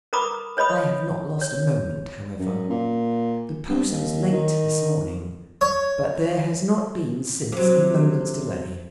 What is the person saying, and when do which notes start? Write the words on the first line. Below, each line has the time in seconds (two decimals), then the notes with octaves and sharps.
I have not lost a moment, however. The post was late this morning, but there has not been since a moment's delay.
0.13 A#4 B4 A#5 B5 D6 D#6
0.57 B4 C#5 D#5 B5 D#6
1.41 C#5
2.39 F#2
2.70 A#2
3.69 G2
3.91 D#2
4.32 D#3
5.61 C#5
7.52 C3 F#3